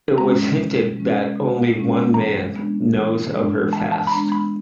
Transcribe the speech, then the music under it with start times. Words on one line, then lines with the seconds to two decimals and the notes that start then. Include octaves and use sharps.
It was hinted that 'only one man' knows of her past.
0.17 G#3 C#4 A#5
0.57 B2
0.97 G#3 C#4
1.36 B2
1.76 G#3 C#4
2.14 E3 A#5
2.55 G#3 B3 D4
2.93 E3
3.33 G#3 B3 D4
3.73 E3 A5
3.92 A5
4.07 B5
4.12 D4 A#5
4.14 G#3 B3
4.32 B5